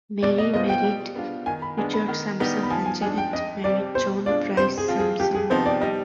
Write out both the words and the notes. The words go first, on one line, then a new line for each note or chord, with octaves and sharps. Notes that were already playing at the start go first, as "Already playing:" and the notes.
Mary married Richard Sampson and Janette married John Price Sampson.
B2 D5
D#5
G#3 B3 F4 C5 D#5
G5
G3
B3 D4 F4
D#3 G#5
B5
G#3 B3 D4 G#5
B5
D#3
G3 B3 D#4 G4
B5
F3 G#5
G#5
G#3 D4 G#5
G5
F2 D#5
C3 G3 C4 D5
B2 C5
G#3 D4 F4 D5
C3 C5
G#4
F3 C4 F4
G#4
F2 G4
G#4
C3 F3 B3 D#4 C5
D5
G3 D#5